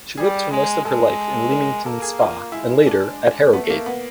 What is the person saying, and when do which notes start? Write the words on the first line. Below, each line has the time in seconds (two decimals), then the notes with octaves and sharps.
She lived for most of her life in Leamington Spa and later at Harrogate.
0.17 G3 G#4
0.51 G#3
0.85 G#3 A4
1.51 A#4
1.85 A#3 A4
2.02 G#4
2.19 F4
2.52 G#3 E4
2.86 D4
3.53 A3 B3
3.70 A#3
3.86 B3